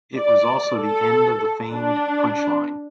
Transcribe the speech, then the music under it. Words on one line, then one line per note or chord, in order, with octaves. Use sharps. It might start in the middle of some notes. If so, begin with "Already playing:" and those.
It was also the end of the famed "Punch Line".
D5
A4
D4